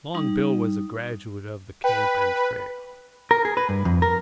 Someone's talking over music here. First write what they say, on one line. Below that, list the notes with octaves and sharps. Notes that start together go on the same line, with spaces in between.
Long Bill was a graduate of the camp and trail.
G3 D#4
B4 G5
A#4
G#4
B4
G2
F2
A#4